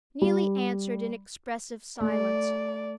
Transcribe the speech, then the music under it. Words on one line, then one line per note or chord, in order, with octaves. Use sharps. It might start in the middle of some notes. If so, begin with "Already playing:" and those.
Neelie answered in expressive silence.
G3
A3 D5